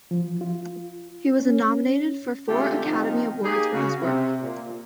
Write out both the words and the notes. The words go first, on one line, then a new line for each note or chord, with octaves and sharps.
He was nominated for four Academy Awards for his work.
F3
F4
C#4
D3 G#3 A3 C4 F4 G4
C3 D#3 F3 D#4
A#3 D#4 G4 G#4
C#3 F#4
C3
A#2